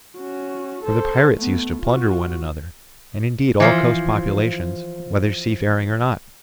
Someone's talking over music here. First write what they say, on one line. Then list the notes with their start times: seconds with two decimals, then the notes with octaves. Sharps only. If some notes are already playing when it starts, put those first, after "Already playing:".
For the pirates used to plunder one another, and indeed all coast populations, whether seafaring or not.
0.17 C#4 F#4
0.84 A4 C5
1.35 A3 B3
1.82 F4 F#4
3.60 E3 F3 C5